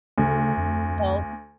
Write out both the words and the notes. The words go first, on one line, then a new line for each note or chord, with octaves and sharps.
Well, m
D2 C#3
F2